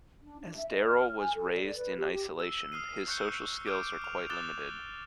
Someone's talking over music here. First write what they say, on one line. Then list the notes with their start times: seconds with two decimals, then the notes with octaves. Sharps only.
As Daryl was raised in isolation, his social skills are quite limited.
0.22 D4
0.40 D4
0.55 E5
0.71 D#5
0.83 F6
1.18 G#5
1.34 A4
1.55 D5
1.76 B4
1.97 G4
2.13 G4
2.40 E6
2.72 D#6 F6 C7 D#7
3.08 C#6 F#6 G6 C#7 G7
3.66 D6 D#6 F6 G6 D7 D#7
4.02 F6 F7
4.30 D6 D#6 F#6 A6 E7 G7